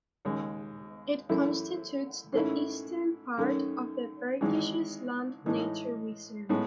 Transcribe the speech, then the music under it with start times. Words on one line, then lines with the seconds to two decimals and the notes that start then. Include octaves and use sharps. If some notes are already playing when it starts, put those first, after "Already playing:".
It constitutes the eastern part of the Bergisches Land nature reserve.
0.25 D#2 C#3 G#3
1.29 F#2 E3 A3 E4
2.32 G#2 D#3 A3 C#4 E4
3.37 F#2 D#3 A3 C#4
4.41 G#1 G#2 E3 G#3
5.46 A2 E3 G#3 D#4
6.49 A2 G#3 B3